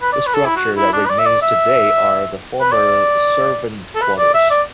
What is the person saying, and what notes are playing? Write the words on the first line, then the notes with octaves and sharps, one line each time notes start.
The structure that remains today are the former servant quarters.
B4
D5
B4
A4
E4
F#4
E4
D4
B4
D5
E5
D5
E5
B4
D5
A4
B4
D5
E5
D5